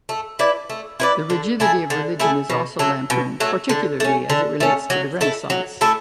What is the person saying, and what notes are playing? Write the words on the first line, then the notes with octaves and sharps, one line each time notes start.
The rigidity of religion is also lampooned, particularly as it relates to the Renaissance.
A3
E4 B4 D5
A3
E4 B4 D5
D3
A3 E4 G#4
D3
A3 E4 G#4
B2
F#3 A3
B2
F#3 A3
D3
A3 C#4
D3
A3 C#4
F#3
A3 E4 A4
F#3
A3 E4 A4